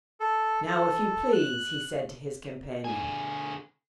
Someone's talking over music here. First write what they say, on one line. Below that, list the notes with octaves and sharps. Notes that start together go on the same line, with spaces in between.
"Now if you please," he said to his companion.
A4
A4
F#6
D3 G#4